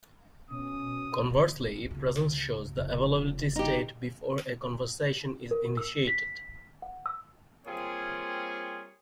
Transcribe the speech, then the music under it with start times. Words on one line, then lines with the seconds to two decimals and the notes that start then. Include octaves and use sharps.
Conversely, Presence shows the availability state before a conversation is initiated.
0.51 B2 C#4 D#6
1.91 C#2 B2
2.77 F1 C#3
3.56 D#4 G4
5.51 A#4
5.77 E6
6.07 B6
6.82 F#5
7.06 E6
7.67 G3 A#3 C4 F4 G#4 C#5